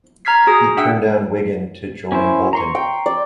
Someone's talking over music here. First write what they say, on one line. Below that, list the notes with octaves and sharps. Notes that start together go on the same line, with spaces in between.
He turned down Wigan to join Bolton.
A#5 F6 G#6 B6 C7
F#4 G#4 D#6
D4 E5 F#5 G5 E6
C#4 E4 C5
A#5 C6 C#6
G5
D5